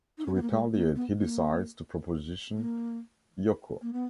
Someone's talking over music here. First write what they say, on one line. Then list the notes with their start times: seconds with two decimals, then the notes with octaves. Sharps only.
To retaliate, he decides to proposition Yoko.
0.18 D#4
0.26 C#4
0.35 B3
0.42 A#3
0.50 G#3
0.74 A#3
0.96 B3
1.18 A#3
2.56 A#3
3.82 A#3
3.93 B3